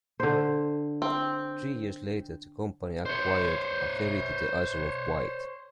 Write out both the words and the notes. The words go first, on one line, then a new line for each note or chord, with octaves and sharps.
Three years later the company acquired a ferry to the Isle of Wight.
D3 C5
C4
C5 C#5